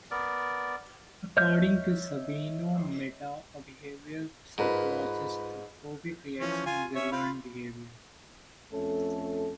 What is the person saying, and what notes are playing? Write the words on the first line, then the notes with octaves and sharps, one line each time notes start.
According to Sabino Metta, a behavioral psychologist, the phobic reaction is a learned behavior.
B3 A#4 D5
C#5 D#5 E5 F6 G6
G#2 F4 A#4 B4
E3 F3 C#4
F4 G#5
C#4 C#5 E5
F4 F5 B5
F2 A3 C#4 A4